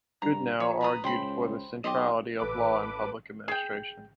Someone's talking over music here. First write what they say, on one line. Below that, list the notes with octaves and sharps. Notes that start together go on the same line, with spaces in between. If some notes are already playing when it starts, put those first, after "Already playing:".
Goodnow argued for the centrality of law in public administration.
G2 A#5
F3 C#5
B4 A#5 D#6
C#2 C5 G5 B5
B1 G4 C5 D#5
A1 A4 B4 D6
G#4 G5